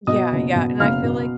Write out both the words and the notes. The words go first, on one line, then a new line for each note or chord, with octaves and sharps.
Yeah, yeah, and I feel like
B2 D#5 D#6
F#1
B2
F#1 F5 F6
B2